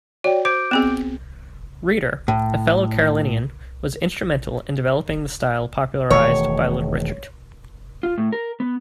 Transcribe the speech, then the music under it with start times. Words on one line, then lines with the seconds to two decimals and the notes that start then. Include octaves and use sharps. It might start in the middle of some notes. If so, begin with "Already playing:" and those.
Reeder, a fellow Carolinian, was instrumental in developing the style popularized by Little Richard.
0.24 F#4 C#5 D5 G5
0.45 C5 D6 G6 D7
0.71 B3 C4 G#4
2.28 A2
6.10 E1 D#3 A3 C#5
8.03 F4
8.18 A2
8.32 A#4
8.60 B3